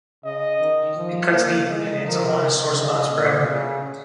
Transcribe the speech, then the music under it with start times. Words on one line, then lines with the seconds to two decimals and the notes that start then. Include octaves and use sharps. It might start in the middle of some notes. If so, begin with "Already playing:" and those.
It cuts deep, and hits a lot of sore spots for everyone.
0.24 C#3 D#5
0.60 D#3
0.96 F3
1.32 A#3
1.68 G#3 D#5
2.04 F3 A#4
2.40 D#3
2.76 C#3 D#5
3.12 A#2
3.47 C#3